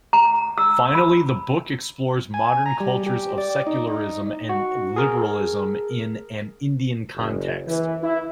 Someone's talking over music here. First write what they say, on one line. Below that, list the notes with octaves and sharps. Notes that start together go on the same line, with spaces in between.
Finally, the book explores modern cultures of secularism and liberalism in an Indian context.
A#5
E6
B5
G#5
A#5
G3
G4
D5
D#4
D#4
F#4
G#4 A#4
F#1
E3
E4